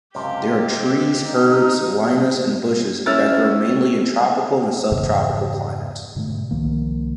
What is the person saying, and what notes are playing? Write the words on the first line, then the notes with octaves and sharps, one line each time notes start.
They are trees, herbs, lianas and bushes that grow mainly in tropical and subtropical climates.
C#2 F#2 C3 G4 F5 A5 C6
D#4
C#4 E4 E6 F6 A6
F2 G#2 C#3 E3
G#2 B2 D3 A3
C2 D#3 F3 A#3